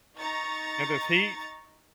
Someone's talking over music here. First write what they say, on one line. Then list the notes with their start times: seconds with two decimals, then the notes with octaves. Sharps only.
In this heat?
0.18 D#4 A#5 C#6 A6